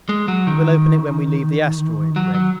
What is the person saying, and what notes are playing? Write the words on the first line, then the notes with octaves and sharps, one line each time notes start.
We will open it when we leave the asteroid, Gregg.
G#3
F#3
D#3
F#3
F#3